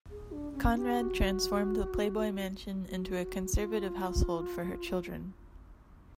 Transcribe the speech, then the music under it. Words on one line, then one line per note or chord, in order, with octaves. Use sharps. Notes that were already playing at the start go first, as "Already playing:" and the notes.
Conrad transformed the Playboy Mansion into a conservative household for her children.
G#4
D4
C#4
G4
F#4
F#4
F#4
F4